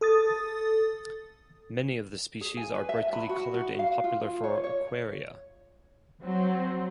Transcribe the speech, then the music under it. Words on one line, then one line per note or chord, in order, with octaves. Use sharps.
Many of the species are brightly colored and popular for aquaria.
A4 D#6 A6
G#4
G#5
B4
E5
B5
F#4
F#4
F5
F4
F4
C#5
C#5
F#3 C4